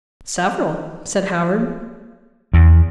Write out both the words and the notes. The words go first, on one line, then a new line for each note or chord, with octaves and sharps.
"Several," said Howard.
E2